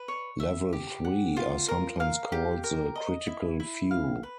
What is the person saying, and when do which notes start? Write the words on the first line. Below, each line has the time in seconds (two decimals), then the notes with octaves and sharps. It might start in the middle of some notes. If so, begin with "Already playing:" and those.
Level Three are sometimes called the "critical few".
Already playing: B4
0.08 C#5
0.40 E5
0.73 G4
1.05 F#5
1.37 F4
1.68 A#4
2.00 F5
2.32 G4
2.64 A#4
2.96 D#5
3.27 E4
3.60 E4
3.91 F5
4.23 B4